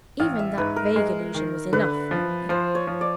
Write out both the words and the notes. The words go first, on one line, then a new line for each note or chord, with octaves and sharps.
Even that vague allusion was enough for Emily.
A1 F5
E5
G#2 B4
A#4
G#3
D#3
D3 B4
F3
F3 C5
C#5
F3
D5